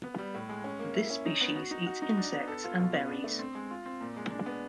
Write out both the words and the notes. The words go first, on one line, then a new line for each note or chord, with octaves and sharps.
This species eats insects and berries.
B3
G3
A2
G#3
C#4
A#3
E4
C#4
D#4
B3
F#4
D#4
F#4
D#4
D4
B3
A4
F4
B2
B3
D4
A3
C4
G#3
F4
C4
A#2
G#3
D4
B3